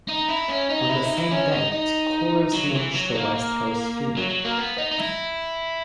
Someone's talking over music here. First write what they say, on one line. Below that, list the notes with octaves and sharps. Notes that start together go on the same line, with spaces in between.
On the same date, Corus launched the west coast feed.
D#4
E4
C#4
D#4
E4
D#4
E4
C#4
D#4
D#4
F#3
E3
F#3
A#3
A#3
F#3
F#3
A#3
B3
D#4
D#4
E4